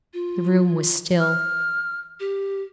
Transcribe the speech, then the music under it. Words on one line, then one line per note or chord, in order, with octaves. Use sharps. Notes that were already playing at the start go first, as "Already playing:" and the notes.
The room was still.
F4
F6
G4